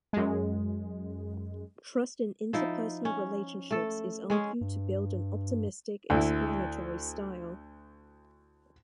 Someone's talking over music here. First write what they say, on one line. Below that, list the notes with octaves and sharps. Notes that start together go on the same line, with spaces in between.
Trust in interpersonal relationships is argued to build an optimistic explanatory style.
F#2 G#3
F3 D#4 E4
C#4
A3 A4
G#3 C#4 G#4
G2
D2 E4